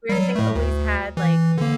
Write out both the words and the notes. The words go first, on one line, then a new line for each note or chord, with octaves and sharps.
Where they always had, like,
F#3 G3
A2 A3
D2
E3
D3 A#3